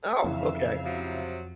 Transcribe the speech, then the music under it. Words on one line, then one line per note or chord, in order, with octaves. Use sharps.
Oh, okay.
F2 C#3 E3 E5 F5 E6
C3 F3 F#3